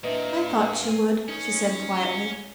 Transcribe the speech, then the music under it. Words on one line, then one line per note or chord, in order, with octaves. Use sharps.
"I thought you would," she said quietly.
A#2 D4 B4 D#5 E5
G#5
C#4 D#4
G7